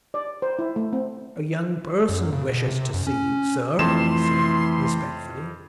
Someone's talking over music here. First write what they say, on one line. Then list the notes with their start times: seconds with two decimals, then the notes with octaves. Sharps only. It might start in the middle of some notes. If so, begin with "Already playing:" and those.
"A young person wishes to see you, sir," he said, respectfully.
0.14 D5
0.42 C5
0.59 E4
0.76 A3
0.93 C4
2.09 F#2
2.33 C#3
2.49 B2
2.68 C3
2.94 F#2
3.07 C#4
3.79 F2 E3 A3 E4 B4 C6 E7